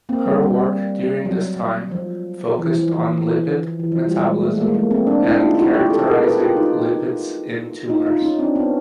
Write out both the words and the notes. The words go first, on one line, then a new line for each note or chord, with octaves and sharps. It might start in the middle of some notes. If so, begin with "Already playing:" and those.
Her work during this time focused on lipid metabolism and characterizing lipids in tumors.
A#3 C4
G3
G3
F#3
F3
E3
F3
E3
E3
E3
F3
G3
G#3
A3
G#3 A#3
A3
G#3 A#3
A#3 C4
C4 D4
D4 E4
D#4 F4
E4 F#4
F4 G4
G4 A4
G#4 A#4
A4 B4
F4 G4
D#4 F4
D#4 F4
D#4 F4
C#4 D#4
C4 D4
B3 C#4